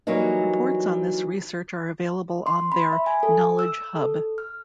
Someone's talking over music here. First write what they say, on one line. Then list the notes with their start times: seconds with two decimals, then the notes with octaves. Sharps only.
Reports on this research are available on their 'Knowledge Hub'.
0.07 E3 F#3 G3 A#3 D#4
2.47 C6
2.72 B5
2.93 E5
3.06 G#5
3.23 A4
3.59 E6
3.96 A4
4.38 F6